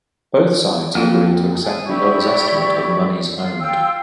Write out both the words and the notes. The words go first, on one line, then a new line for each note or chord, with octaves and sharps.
Both sides agreed to accept the other's estimate of monies owned.
F2 A#3 F4
G#4 A4
E4 G4 D5 C#6
F4
F4 G5 E6